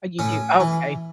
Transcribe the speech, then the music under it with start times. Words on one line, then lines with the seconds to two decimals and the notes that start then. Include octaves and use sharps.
Oh, you do? Okay.
0.19 A2 C#4
0.60 E3